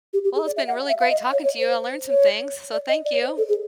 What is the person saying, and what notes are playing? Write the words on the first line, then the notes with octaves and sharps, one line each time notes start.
Well, it's been really great talking to you, I learned some things, so thank you.
G4
G4
G#4
D5
E5
F#5
E5
F5
D#5
C#5
C#5
C5
C#5
D5
D#5
D5
C#5
C5
A4
G#4